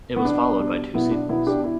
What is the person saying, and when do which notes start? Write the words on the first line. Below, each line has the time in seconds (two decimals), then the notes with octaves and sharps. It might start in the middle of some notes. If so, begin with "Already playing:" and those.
It was followed by two sequels.
0.16 B3
0.25 B2 D4
0.59 G3
0.94 B1 B3 E4
1.11 D4
1.29 B2 B3 E4
1.47 D4 G4
1.64 E4